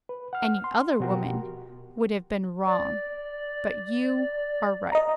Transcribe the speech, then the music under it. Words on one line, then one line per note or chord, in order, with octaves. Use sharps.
Any other woman would have been wrong, but you are right.
B4
F#5 F6
C6
B2 F3 F#4 G4 A#4
D5
D#5 A#5